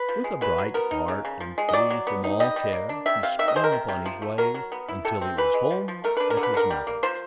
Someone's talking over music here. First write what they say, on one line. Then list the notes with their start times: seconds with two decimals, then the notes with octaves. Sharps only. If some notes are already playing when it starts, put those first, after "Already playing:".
With a bright heart and free from all care, he sprang upon his way, until he was home at his mother's.
Already playing: B4
0.09 F3
0.24 G#3
0.41 F#3 B4
0.58 F#3
0.74 B3 A#4
0.91 D#4
1.08 C#3
1.25 C#3
1.40 F3
1.58 G#3
1.69 D#5
1.73 F#3 D5
1.90 F#3
2.07 B3
2.24 D#4
2.40 G3 D#5
2.56 G3
2.73 A#3
2.89 D4
3.06 C3 E5
3.23 C3 F5
3.39 D#3 E5
3.48 D#5
3.56 G#3 C5
3.64 A#4
3.72 C3
3.88 C3
4.06 F3
4.22 A3
4.38 F#3 A#4
4.54 F#3
4.72 B3
4.88 E4
5.05 C3 A4
5.21 C4
5.38 E3 B4
5.54 G#3
5.70 F3
5.88 F3
6.04 A3 A#4
6.17 D4 B4
6.30 A#4
6.37 D3
6.43 B4
6.54 D3 A#4
6.70 G3
6.87 A#3
7.03 F3 C5